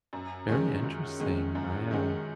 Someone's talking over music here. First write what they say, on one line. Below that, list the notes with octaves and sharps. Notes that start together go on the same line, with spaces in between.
Very interesting. I, uh
F#2
D#3 G#3 C#4
F#2
D#3 G#3 C#4
F#2
D#3 G#3 C#4